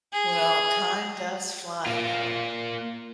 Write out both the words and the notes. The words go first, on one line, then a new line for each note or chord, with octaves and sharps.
Well, time does fly though.
G#4
A#3 F4